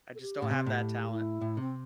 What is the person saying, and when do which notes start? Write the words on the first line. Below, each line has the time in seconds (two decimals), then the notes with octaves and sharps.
I just don't have that talent.
0.15 A4
0.21 G4
0.42 A2
0.51 C3
0.66 A2
1.12 E4
1.41 A2
1.57 C3 C4